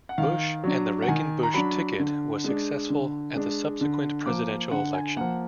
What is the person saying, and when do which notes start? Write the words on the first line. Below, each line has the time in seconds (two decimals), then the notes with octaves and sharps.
Bush, and the Reagan-Bush ticket was successful at the subsequent presidential election.
0.09 F#5
0.18 D#3 F5
0.64 F#3 D4
1.02 F#5
1.08 D#3 G#5
1.43 A#5
1.54 F#3 D4 B5
2.00 D3
2.44 G#3 D4
2.90 D3
3.36 G#3 D4
3.81 D3
4.26 F3 A#3 D6
4.71 D3 F#5
4.94 G#5
5.17 F3 A#3 F#5